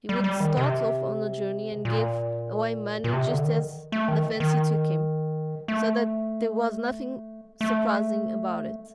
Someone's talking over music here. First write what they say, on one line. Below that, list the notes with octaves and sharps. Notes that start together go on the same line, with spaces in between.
He would start off on a journey and give away money just as the fancy took him, so that there was nothing surprising about it.
G3
G3
D#3
C3
A#2
A#2
C3
D3
D#3
A3
D#3
D#3
A3
A3